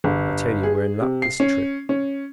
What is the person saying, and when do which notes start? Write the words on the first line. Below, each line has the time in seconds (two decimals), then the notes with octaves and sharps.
I tell you, we're in luck this trip.
0.04 G1
0.63 G#4
1.01 C3
1.22 C7
1.40 C#4
1.89 C#4